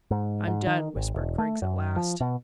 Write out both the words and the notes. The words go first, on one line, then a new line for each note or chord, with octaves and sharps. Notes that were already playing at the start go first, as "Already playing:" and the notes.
"I'm done," whispered Griggs at last.
G#2
G#2
D#3
G#1
E1
A3
F#2
F3
B2